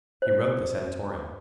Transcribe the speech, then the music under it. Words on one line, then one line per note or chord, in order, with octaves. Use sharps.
"He wrote this editorial."
C5